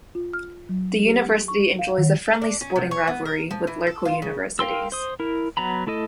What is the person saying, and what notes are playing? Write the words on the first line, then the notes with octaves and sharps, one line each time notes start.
The university enjoys a friendly sporting rivalry with local universities.
F4
F6
F#3
G4
C#6
F5
D#3
D4
C#4
C3
C#5
B3
A#4
F3
E3
A4
F4
C#3
A#4 F5 G5 C6 E6
C5 D#6
E4 A#4
F#3 B3 A#5 B5
A3 E4 A4 D#5